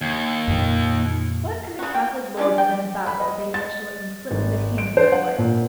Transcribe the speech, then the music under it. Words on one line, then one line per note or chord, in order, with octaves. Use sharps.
What can the Catholic lords have been about, that they managed to let them slip through their hands in that way?
D#2
F2 A#2
C#3 F#4
G5
C#4 D4 F4 D5
G5
B5
D#5
A6
G#1
D7
C5
F#5
A#2